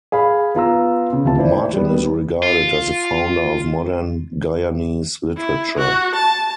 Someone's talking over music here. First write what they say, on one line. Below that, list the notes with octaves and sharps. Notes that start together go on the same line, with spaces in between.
Martin is regarded as the founder of modern Guyanese literature.
G#4 F5 B5
B3 F4 A#5 E6
C#3
D1 C3 F4 A5
E4 C5 D5
G3 B3
F4
E4
F#4
A5